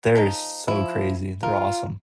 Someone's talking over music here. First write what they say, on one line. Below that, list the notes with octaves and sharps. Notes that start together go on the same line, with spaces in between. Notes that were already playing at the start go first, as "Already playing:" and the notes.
They're so crazy, they're awesome.
F3 G#3 D#4
F3 E4
F3 F4 A#4